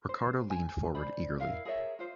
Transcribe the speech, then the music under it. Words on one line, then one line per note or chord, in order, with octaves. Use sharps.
Ricardo leaned forward eagerly.
C5
G#5
C5 D5 B5
E4 A#4 F5
G#4 A#4 C#5 E5
F4 C5